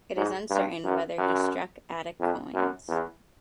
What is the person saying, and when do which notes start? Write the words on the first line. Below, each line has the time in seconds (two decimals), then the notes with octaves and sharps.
It is uncertain whether he struck Attic coins.
0.17 G#2
0.50 G2
0.84 F#2
1.18 F#2
2.20 F2
2.54 F#2
2.88 E2